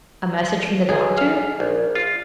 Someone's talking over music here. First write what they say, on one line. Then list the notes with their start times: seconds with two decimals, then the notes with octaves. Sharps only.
'A message from the doctor?'
0.89 B1 G#4
1.17 F5
1.60 A#1
1.95 F4